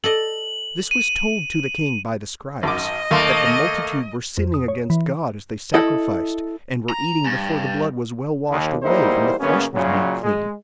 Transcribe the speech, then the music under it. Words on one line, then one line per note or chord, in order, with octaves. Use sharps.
This was told to the king by the scribes, that the multitude were sinning against God as they sacrificed, and were eating before the blood was well washed away, and the flesh was made clean.
A4 D5 D#5 F#7
D#7
G#1 F#2 D#5 D6
D#2 A3 A#3 F5 C6
F2
D#6
C#5
E3
E4 A4 D#5
A#5
G2
D#2
E2 G3 A#3 D#4 E4 C5
F#2 C#3 A#3 B3 C#4
F#2 A#2 C#3 F#3
G#3